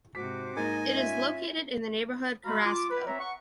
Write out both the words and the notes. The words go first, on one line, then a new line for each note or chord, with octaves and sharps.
It is located in the neighborhood Carrasco.
G#2 C3 F#4 C5 D6 B6
G#2 A#3 D#4 D#5 G#5 A6
C#4 F4 E5
G#3 F#4 F5 A#5 B5
F4 D6
B4
C4 C#5 E5 A#5
F#5 C#6